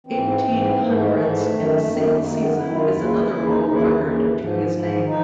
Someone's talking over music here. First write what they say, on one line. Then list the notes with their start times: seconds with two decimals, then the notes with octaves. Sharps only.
Eighteen hundreds in a single season is another world record to his name.
0.07 G#2 E3 C4
0.42 G#2 E3
0.77 G#2 E3 A#3
0.90 A3
1.02 G#3
1.13 G#2 E3 A3
1.49 F#2 D#3
1.85 F#2 A#3
1.89 D#3
1.97 A#3
2.08 A3
2.20 F#2 D#3 A#3
2.39 B3
2.56 F#2 D#3 E4
2.75 F4
2.92 D#2 C#3 E3 E4
3.03 F4
3.16 E4
3.28 D#2 C#3 E3 E4
3.45 D#4
3.63 D#2 C#3 E3 D#4
3.72 E4
3.81 F4
3.99 D#2 C#3 E3
4.34 G#2 F3
4.70 G#2 F3
5.05 F3 D#4